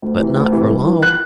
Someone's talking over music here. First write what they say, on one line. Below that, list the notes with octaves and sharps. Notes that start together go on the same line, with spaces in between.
But not for long.
D2
C3 E3
D2
C3 E3
G2
E3
F#6